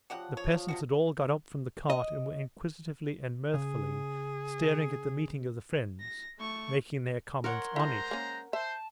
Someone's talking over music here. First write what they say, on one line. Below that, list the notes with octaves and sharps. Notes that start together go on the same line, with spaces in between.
The peasants had all got up from the cart and were inquisitively and mirthfully staring at the meeting of the friends, making their comments on it.
C#3 F3 F#4 G4 D5 F#5
F3 C#5
F3
C3 G#3 F#4 D5 F#5
D#5
C#3 G#4
A#6
A3 C#6
A#4 C#5 F#5 C6
G#3 E4 C5 A5 A#5
A#3 C#4
C5 E5 A5